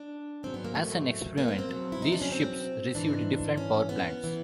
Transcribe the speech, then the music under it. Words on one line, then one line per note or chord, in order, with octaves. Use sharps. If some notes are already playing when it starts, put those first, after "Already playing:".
As an experiment, these ships received different powerplants.
Already playing: D4
G#2 D#3 F#3 C4
B3
A#3
A3
A#3
B3
C4
E2 B2 F#3
E4
D#4
D4
C#4
C4
G#2 E3 D4
C#4
B3
E3